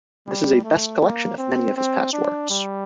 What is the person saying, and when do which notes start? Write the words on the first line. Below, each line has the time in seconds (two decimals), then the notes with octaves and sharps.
This is a best collection of many of his past works.
0.27 G3
0.64 A3
1.01 A#3
1.38 C4
1.76 C4
2.13 D4
2.50 G3